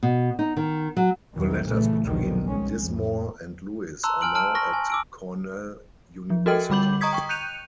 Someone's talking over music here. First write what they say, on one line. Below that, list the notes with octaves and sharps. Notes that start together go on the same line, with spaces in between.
The letters between Dismorr and Lewis are now at Cornell University.
B2
D#4
D#3
F#3
B1 E2 D#3 E3 F#3
A#2 C#3 E3 A3
A#1 D#2 B2 D3 D#3 F3
C2 G#3 C#4
F2 A2
A5 A#5 C6 E6 F#6
G#5 F6 D7 F#7
A5 F6 D7
C#6 F6 A#6
G#5
D6 E6 D7
F3
F#4 A4 A#4 D#5 G5
D3 G3 B5 D6 G6 F#7
D#5 A#5 C#6 D#6 G#6 B6
G5 C#6
F#6 G6 C#7 D#7 F7